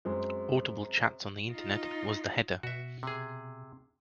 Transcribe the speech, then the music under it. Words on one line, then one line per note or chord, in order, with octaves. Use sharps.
Audible chats On the Internet was the header.
F#2 G#3 C4
D#4 F4
B2 F#4 E5
C3 G#4